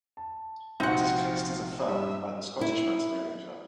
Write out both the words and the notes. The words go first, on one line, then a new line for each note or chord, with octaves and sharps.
It is classed as a Furth by the Scottish Mountaineering Club.
A5
A#1 C3 F3 C4 D#4 F#4 F#5 A#6
G2 E5
E4